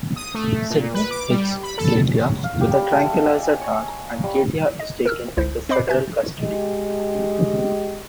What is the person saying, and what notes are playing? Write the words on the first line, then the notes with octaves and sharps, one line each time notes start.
Sydney hits Katya with a tranquilizer dart and Katya is taken into federal custody.
D#6
A3
A#2
B4
D6
G3
B5
A4
C#5
F5
G4
G3
A3
D#5
G#5
C#5
A#5
G3
D#5
A#4 E6 F6
G1 C#2 E4 C5
C4 C5 D#5 B5 D6 C7
B4 E5 G#5 G6
G#3 G4 D#5